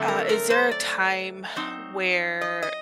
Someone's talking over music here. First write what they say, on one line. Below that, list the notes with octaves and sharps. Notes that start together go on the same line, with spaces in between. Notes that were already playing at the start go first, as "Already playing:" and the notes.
uh, is there a time where,
Already playing: D3 F#3 A3 C4
A#4
A#4
C5
D5
F#3 C4 D#4
D#5
D#5